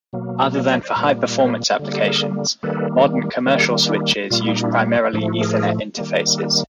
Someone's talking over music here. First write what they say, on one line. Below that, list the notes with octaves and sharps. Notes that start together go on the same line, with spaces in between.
Other than for high-performance applications, modern commercial switches use primarily Ethernet interfaces.
B2 F#3 A#3
C#5 D#5
C5 D5
C5 D5
A#2 G3 A#3 B4 C#5
A#4 C5
D3 G3 A#3
G4 A4
G#4 A#4
D#3 G3 A#3 A4 B4
D#3 G3 A#3 A4 B4
G#4 A#4
D4 E4
A#2 G3 A#3 F4
E4
D#4
D4 E4
A2 F3 A3 D4 E4
E4 F#4
G#4 A#4
D#3 G3 A#3
A4 B4